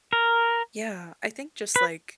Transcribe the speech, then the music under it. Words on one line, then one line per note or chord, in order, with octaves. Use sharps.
Yeah, I think just like
A#4
B4